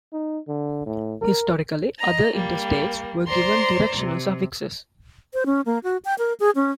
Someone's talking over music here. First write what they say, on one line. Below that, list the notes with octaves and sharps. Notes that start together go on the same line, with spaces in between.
Historically, other interstates were given directional suffixes.
D#4
D3
A2
A#4
D#5 A#5
G3 A#3
C5 D5 A#5 C6
C3
C5
C#4
A#3
F#4
G5
A#4
G#4
C#4